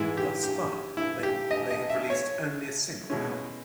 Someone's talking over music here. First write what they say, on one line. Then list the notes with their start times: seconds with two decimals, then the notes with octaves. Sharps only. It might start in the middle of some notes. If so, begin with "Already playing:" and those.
Thus far they have released only a single album.
Already playing: G#2 E3 G#3 E4
0.17 G4
0.44 G4
0.97 E4
1.23 G4
1.51 D#5
1.71 D#5
1.90 E5
2.10 C#5
3.10 B2 G#3 C#4 E4